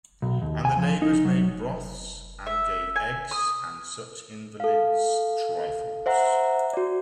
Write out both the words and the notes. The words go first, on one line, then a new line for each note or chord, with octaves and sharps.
And the neighbours made broths, and gave eggs, and such invalids’ trifles.
B1
D#2
G#5
F3
D#4
F#3
E5
G#5
D#6
A4 F5
C5 E5 F#5 A#5
F#4 D5